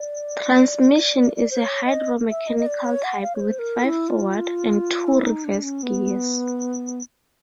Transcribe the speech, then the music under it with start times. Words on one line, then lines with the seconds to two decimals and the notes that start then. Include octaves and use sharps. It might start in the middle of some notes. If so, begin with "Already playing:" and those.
Transmission is a hydromechanical type with five forward and two reverse gears.
Already playing: D5
1.36 D5
1.51 C5
1.61 C#5
1.85 D#5
2.30 E5
2.47 D#5
2.59 D#5
2.67 D5
2.85 C#5
3.04 F#5
3.22 F5
3.36 C#5
3.41 C5
3.59 A#4
3.84 E4
4.08 F4
5.08 E4
5.26 D#4
5.45 D4
5.63 C#4
5.83 B3